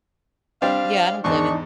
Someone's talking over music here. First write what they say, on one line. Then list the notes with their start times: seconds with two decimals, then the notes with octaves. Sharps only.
Yeah, I don't blame him.
0.62 G3 C4 D4 F5
1.24 E2 G#2 D4 D#4 C#6